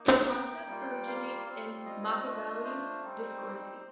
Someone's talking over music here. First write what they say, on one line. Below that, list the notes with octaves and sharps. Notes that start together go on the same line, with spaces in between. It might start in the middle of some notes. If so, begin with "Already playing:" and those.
The concept originates in Machiavelli's "Discorsi".
Already playing: A#3 D#4
A#5
G5
G3 A#3 F4
F5
G3 C4 F4
D#5
A3 D4 F4
C5
G3 C4 D#4